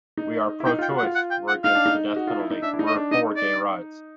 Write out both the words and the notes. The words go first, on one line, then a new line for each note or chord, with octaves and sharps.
We are pro-choice; we're against the death penalty; we're for gay rights.
D#4
E4
D#4 G5
F4 G5
F#4
F#5
F4
F#5
G5
F#5
D#4 F5
D4
D#4
F#4
F4
E4
D#4
D4 E5
E4
D#4
D#5
D4
D#4 D#5
D5